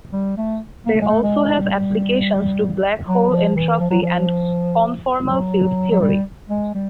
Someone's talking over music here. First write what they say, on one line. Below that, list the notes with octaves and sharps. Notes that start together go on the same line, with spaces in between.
They also have applications to black hole entropy and conformal field theory.
G3
A3
A#3
A3
G#3
A3
G#3
G3
F#3
F3
E3
F3
F#3
F3
F#3
F#3
G3
G#3
G3